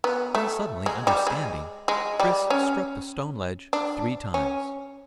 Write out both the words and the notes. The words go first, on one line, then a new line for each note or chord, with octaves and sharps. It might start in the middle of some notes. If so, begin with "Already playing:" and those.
Then, suddenly understanding, Chris struck the stone ledge three times.
B3
A3
G#3
G3
G#3
G#3
G3
C#4
D4
C#4